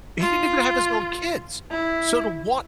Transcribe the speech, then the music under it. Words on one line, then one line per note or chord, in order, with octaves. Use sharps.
he didn't even have his own kids, so to want
F4
E4